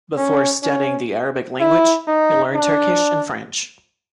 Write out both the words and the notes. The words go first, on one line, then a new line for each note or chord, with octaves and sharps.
Before studying the Arabic language, he learned Turkish and French.
C#4
C#4
E4
D#4
D4